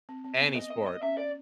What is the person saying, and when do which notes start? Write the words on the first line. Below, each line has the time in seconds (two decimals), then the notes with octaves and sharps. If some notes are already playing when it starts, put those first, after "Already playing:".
Any sport.
0.09 C4
0.24 C4
0.40 B3
0.55 D#5
0.71 D#5
0.87 D#5
1.03 C#4 E5
1.18 D5